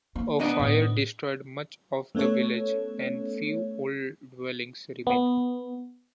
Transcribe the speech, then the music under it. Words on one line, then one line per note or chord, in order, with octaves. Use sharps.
A fire destroyed much of the village, and few old dwellings remain.
A#3
B3 D4 D#5
A2
A3 B3 C#4 A4 C#5
B3